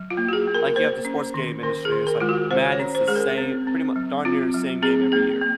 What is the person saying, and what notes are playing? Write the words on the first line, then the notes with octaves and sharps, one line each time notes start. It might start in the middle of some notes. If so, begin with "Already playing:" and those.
Like, you have the sports game industry, it's, like, Madden's the same pretty much darn near the same game every year.
Already playing: F#3
F4
A#3
F#4
G#4
A#3
A#4
A#4
A#3 C5
C#4
D#3
D#3 A#4
G#4
D#3
A#4
G#3 F4
F#4
G#3 C5
C#5
C#4
C5
G#3 G#4
A#4
C4
C4
F#3
C4 F4
F#3
C4 G#4
A#3 G#4
A#3